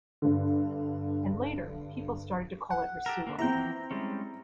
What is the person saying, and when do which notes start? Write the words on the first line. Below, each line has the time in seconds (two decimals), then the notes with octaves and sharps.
And later people started to call it Rasuwa.
0.22 G2 D3
2.70 F#5
3.06 G4 A4 A#4
3.27 D3 A#3
3.39 E3 F3 C4 E4 G5 A#5
3.91 G3 G#3 C#4